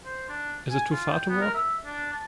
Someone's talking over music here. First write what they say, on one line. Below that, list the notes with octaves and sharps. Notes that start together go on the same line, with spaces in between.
Is it too far to walk?
C5
D4
G#5
F4
G5
B3
A#4
E5
D4
A5